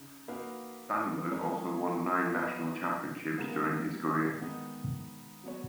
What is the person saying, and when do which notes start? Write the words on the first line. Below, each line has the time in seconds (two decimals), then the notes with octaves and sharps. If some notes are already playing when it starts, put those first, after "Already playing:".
Sandberg also won nine national championships during his career.
Already playing: C#3 D#4
0.28 A#3 D#4 F#4 B4 F5
1.31 G#3 D#4 A#4 C#5
2.34 B3 F4 B4 D#5
3.38 C#3 G#3 B3 F4 A#4
4.40 D#3 G#3 B3 D#4
5.43 F#3 B3 F#4 C#5